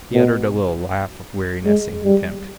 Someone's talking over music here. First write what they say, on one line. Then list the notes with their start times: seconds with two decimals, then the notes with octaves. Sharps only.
He uttered a little laugh of weariness and contempt.
0.14 B2
1.65 G#3
2.04 G3